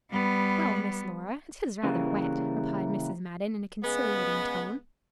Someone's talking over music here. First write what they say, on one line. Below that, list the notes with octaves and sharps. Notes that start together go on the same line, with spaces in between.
"Well, Miss Laura, it is rather wet," replied Mrs. Madden, in a conciliating tone.
G3 B3
C#3 E3 G3 A#3
C#3 G#3 B3